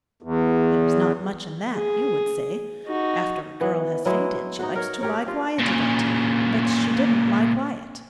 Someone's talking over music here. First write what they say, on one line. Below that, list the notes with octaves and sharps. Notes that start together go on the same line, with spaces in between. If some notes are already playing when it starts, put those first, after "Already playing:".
There is not much in that, you would say; after a girl has fainted she likes to lie quiet a bit; but she didn't lie quiet.
E2
G#4
D#4 F#4
E3 B3
F#3 G#3 B3 E4
D#4 F#4
A#4 C#5
G4 A#4 C#5
F4 G4
A#2 C#3